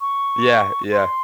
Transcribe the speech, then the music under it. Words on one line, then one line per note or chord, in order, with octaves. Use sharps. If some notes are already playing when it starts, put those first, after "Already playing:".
Yeah, yeah.
C#6
C6